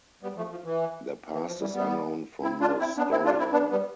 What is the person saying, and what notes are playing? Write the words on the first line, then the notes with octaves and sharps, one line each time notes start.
Their past is unknown from the storyline.
G3 B3
F3 A3
F3
E3
E3
F3
E3 G3
G3 B3
C4 E4
D4 F4
C4 E4
B3 D4
C4 E4
D4 F4
C4 E4
B3 D4
G3 B3